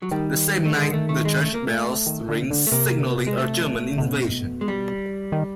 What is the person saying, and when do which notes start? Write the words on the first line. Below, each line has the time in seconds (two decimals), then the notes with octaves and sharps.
The same night the church bells ring signalling a German invasion.
0.02 F#3
0.11 D#3 G3
0.65 A3
0.77 G#3
0.93 A3
1.09 A3
1.25 G#3
1.42 A3
1.54 A#3
1.67 A3
2.07 D#3
2.29 D3
2.51 D3
2.67 A3
2.72 C3 A#3
3.27 G#3
3.37 A3
3.98 C3
4.02 B2
4.61 G#3
4.68 G3
5.32 D#3